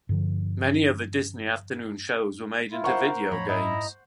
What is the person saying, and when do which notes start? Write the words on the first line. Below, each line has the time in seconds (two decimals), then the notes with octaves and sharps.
Many of The Disney Afternoon shows were made into video games.
0.09 G2 D3 F3
2.72 E4 F4
2.84 A#4 C5 F#5 C#6
3.31 F2 A2 C#5 E5 A#5 B5
3.49 G#2 E4 D#5 A#5